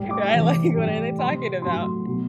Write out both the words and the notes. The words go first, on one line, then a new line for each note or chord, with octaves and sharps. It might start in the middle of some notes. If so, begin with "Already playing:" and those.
Right. Like, what are they talking about?
Already playing: A2 G3
D6
C3 E3 G3
A2 G3
C3 G3 C6
A2 F#3 C6
B2 F#3